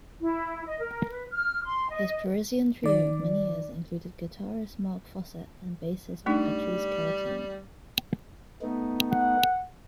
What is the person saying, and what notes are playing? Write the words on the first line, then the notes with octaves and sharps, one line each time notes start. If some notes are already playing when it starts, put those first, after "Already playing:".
His Parisian trio of many years included guitarist Marc Fosset and bassist Patrice Carratini.
E4
D#5
A#4
B4
F6
C6
D#5
D#3 D5
G3 A3 D4 D#4
A3 B3 D#4
F#5